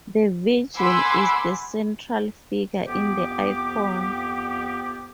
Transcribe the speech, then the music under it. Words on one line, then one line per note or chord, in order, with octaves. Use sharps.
The Virgin is the central figure in the icon.
F#5 G#5 B5 C6 D6 E6
F2 B3 G4 D6